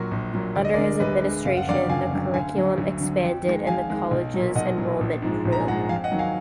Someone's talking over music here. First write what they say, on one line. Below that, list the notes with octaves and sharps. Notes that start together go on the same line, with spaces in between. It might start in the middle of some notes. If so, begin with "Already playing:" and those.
Under his administration, the curriculum expanded and the college's enrollment grew.
Already playing: A#1 A#2 F#3 F#4 A#4
A#1
A#2 F#3
D2 D5
D#5
A#4 D5
D3 G#3
D2 B4 D#5
D3 G#3
F#1 F5
F#5
F2 D3 F#3 D5 F5
F#1 F5 G#5
F2 D3 F#3
D2 F5 G#5
D3 F#3
D2
D3 F#3
F2
D#3 G#3
F2 F5 G#5
D#3 G#3
B1
A#2 F#3
B1 D#5 F#5
A#2 F#3
A#1
G#2 F3 G#3
A#1
A#5
G#5
G#2 F3 G#3 F#5 A#5
F2 F5 G#5
D#5 F#5
D#3 F#3
F5 G#5